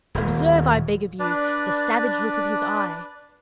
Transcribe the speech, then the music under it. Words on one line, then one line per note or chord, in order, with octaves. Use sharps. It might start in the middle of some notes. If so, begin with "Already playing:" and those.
Observe, I beg of you, the savage look of his eye.
D#1
D4 B4 D5